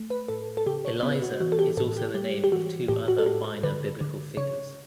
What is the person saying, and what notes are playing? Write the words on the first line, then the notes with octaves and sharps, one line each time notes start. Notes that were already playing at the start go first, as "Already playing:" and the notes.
Eliezer is also the name of two other minor biblical figures.
Already playing: A3
B4
A2 A4
A4
C#3 G4
C#5
B3 B4
F#4
E3 F#4
A4
G4
A2 A4
G4
G3 G4
G4
E3 F#4
A2 G4
F#4
A4
A2 G4
A4
D3 B4
D3
C#3 C#5